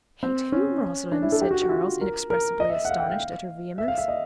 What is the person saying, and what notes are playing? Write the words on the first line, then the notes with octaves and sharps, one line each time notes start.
"Hate whom, Rosalind?" said Charles, inexpressibly astonished at her vehemence.
C4
C#4
D4
E4
A4
G4
F#4
F#4
F4
A#4
A#4
D#5
E5
F#5
F5
G5
F5
E5
F5
E5
D#5